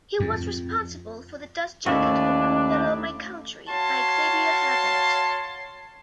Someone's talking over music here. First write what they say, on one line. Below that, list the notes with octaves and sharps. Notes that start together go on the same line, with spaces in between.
He was responsible for the dust-jacket for "Poor Fellow My Country" by Xavier Herbert.
F2
D#2 A3 C#4 D4 E4 E5
F#4 C#5 F5 A5 C6